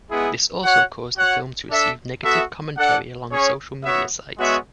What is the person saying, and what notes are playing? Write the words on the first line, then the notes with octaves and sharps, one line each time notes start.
This also caused the film to receive negative commentary along social media sites.
G#3 B3 E4 G#4
F#4 C#5 F#5
F#4 C#5 F#5
D4 A4 E5
B3 F#4 A4 E5
D4 A4 D5 F#5
C#4 G#4 C#5
B3 F#4 C#5 E5
G#3 B3 F#4 C#5 E5